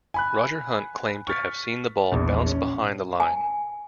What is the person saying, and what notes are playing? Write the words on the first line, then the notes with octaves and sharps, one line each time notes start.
Roger Hunt claimed to have seen the ball bounce behind the line.
G#5 B5 F#6
C#6 F6 A6 B6
A#1 E2
C#4
G#5